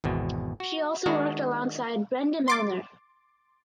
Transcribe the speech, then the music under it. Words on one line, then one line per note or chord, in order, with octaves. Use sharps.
She also worked alongside Brenda Milner.
G#1 E2 B2
F#4
D#3 G#3 D4 F#4 A#5
C6 D6 A6